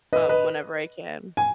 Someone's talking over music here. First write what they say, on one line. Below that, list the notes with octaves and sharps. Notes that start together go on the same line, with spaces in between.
um, whenever I can.
B4 D#5
B4 D#5
G#5